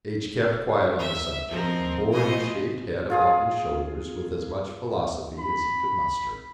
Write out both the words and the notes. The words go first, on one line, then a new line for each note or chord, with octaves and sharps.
H-- kept quiet on the subject, and bore his shaved head upon his shoulders with as much philosophy as he could muster.
E5
F3 C4 A#4 D#5
B2 A3 F4 C5 D#5 G#5
F4 G#4 D#6
B5